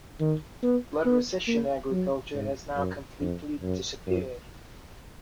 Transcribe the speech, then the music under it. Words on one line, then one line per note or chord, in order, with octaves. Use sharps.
Flood recession agriculture has now completely disappeared.
D#3
B3
B3
A#3
F#3
G#2
F#2
F2
F#2
F#2